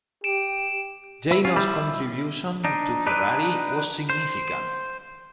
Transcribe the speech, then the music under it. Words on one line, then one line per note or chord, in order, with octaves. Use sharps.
Jano's contribution to Ferrari was significant.
G4 D7 E7
E4
C#4 F4
G3 E4
D4 D#4
D4 D#4 B4
C5